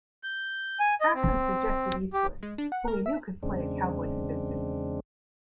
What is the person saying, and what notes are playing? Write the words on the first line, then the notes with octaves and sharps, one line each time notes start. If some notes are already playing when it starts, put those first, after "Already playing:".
Harrison suggested Eastwood, who he knew could play a cowboy convincingly.
G6
G#5
D#5
C4
G4
G#3
D4
F#5
A#4
E5
E2 C#3 G#3 C4 D4